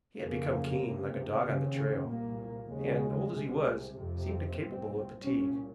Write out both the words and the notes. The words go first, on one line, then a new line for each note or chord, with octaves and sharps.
He had become keen, like a dog on the trail, and, old as he was, seemed incapable of fatigue.
F2 C#3 A#3
C#2 C3
D#2 C#3 C4
C2 A#2 A#3
D#2 C#3 G#3
C2 C3
F2 C3
C4
C2 A#2 C4
C2 A#2 C#4